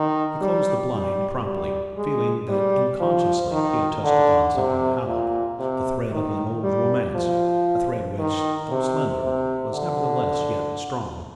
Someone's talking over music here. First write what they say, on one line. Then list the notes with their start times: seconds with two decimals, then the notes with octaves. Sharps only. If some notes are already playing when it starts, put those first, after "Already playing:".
He closed the blind promptly, feeling that unconsciously he had touched upon something hallowed, the thread of an old romance, a thread which, though slender, was nevertheless yet strong.
Already playing: D#3
0.41 G3
0.93 G3
1.46 G3
1.97 G#3
2.49 G3
3.00 F3
3.52 D#3
4.04 D3
4.56 C3
5.07 A#2
5.59 C3
6.12 D#3
6.63 G3
7.15 F3
8.19 D#3
8.71 C3
9.23 C3
9.74 D3